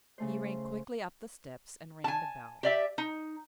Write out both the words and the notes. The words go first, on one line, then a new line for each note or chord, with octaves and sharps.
He ran quickly up the steps and rang the bell.
C#3 A3 C5
G#5 A5
G4 D5 E5
D#4